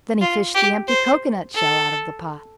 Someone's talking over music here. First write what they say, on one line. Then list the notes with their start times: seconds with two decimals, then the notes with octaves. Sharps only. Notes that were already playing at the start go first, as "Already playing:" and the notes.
Then he fished the empty cocoanut shell out of the pot.
0.21 F4
0.55 G4
0.88 C5
1.54 A4